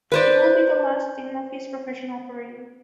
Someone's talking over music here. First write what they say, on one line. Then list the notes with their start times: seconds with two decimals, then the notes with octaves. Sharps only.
It would be the last team of his professional career.
0.12 B4 C5 D5